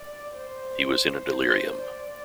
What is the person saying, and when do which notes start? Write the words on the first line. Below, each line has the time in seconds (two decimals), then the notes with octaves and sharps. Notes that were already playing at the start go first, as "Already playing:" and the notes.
He was in a delirium.
Already playing: D5
0.35 C5
1.06 C5
1.77 D5